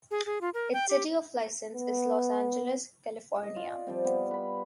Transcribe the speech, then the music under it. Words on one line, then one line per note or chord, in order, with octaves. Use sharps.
Its city of license is Los Angeles, California.
G#4
G#4
F4
A#4
G5
G4
B3
D#5
F4 D5
F3 G3 C4
B3
B4 B5